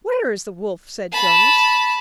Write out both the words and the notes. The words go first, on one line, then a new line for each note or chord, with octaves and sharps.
'Where is the wolf?' said Jonas.
A5 B5